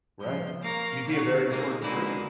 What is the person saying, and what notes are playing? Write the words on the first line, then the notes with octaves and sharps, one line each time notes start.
Right, you'd be a very important person.
F3 G6
A#3 F5 A#5 C#6
F#4 C#5 F5
G#2 A#3 C4 D#4
B2 D3 G#3 A#3 D#4 E4